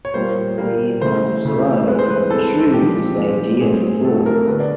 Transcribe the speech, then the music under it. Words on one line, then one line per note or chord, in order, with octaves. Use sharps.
These are described in true Sadean form.
C#5
A#2 G3 A#3 C5
A#2 G3 A#3
C#3 E3 A3 C5
C#3 E3 A3
E3 G#3 C4 B4
C5
B4
E3 G#3 C4 A4
A#2 F3 G#3 C4 G4
A#2 F3 G#3 C4
A2 F#3 A3 C4 G#4
A2 F#3 A3 C4 A4
A#4
D3 F#3 B3 B4
D5